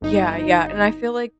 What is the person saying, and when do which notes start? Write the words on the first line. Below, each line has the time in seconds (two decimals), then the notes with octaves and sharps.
Yeah, yeah, and I feel like
0.02 G1 D#4